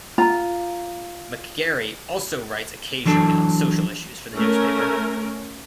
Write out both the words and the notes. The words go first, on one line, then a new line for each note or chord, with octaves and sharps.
McGarry also writes occasionally on social issues for the newspaper.
F4 A#5
E3 F#3 D4 A4
A3 C#4 A#4